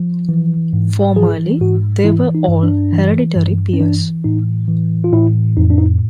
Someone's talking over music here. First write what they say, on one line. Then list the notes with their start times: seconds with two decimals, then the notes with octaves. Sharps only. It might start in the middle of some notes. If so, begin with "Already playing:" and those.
Formerly, they were all hereditary peers.
Already playing: F3
0.29 E3
0.73 G#2
1.16 E3 G#4
1.61 G#2 F#4
2.04 E3 E4
2.35 D#4
2.48 G2
2.63 D4
2.93 E3
3.36 G2
3.73 C#4
3.80 E3 D4
4.24 A2 D#4
4.68 E3
5.04 F4
5.13 A2 E4
5.57 F2 D#4
5.70 D4
5.78 D#4